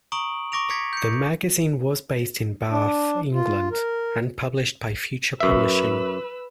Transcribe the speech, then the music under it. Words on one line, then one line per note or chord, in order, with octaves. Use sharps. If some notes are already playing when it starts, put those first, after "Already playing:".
The magazine was based in Bath, England and published by Future Publishing.
A#5 C#6 D#6 D7 F#7
C#6 D6 A#6 D7 F7
G#6 A#6 B6 C#7
G6 C#7
D4
F4
A#4
F#2 B4 E5 E6